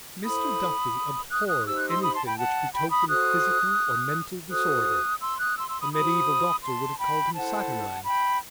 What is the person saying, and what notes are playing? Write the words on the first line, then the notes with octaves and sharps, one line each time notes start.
Mr. Duffy abhorred anything which betokened physical or mental disorder. A mediaeval doctor would have called him saturnine.
E4 A4 C5 B5 D#6
D#6 F#6
D#6 F#6
D#4 G4 C5 E6
F#6
C6 E6
B5 D#6
A5 C6
G5 B5
F#5 A5
G5 B5
B5 D#6
F#4 A4 C5 D#6 F#6
F#4 A4 C5 D#6 F#6
C6 E6
D#6 F#6
C6 E6
C6 E6
B5 D#6
F#4 C5 B5 D#6
A5 C6
G5 B5
E4 A4 C5 F#5 A5
G5 B5